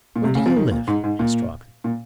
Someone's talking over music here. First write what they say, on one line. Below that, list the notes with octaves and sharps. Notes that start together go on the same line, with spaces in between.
"Where do you live?" asked Robin.
A#2
C3
C#3
F3
D#3
A#2
G#2
G#2
A#2
A#2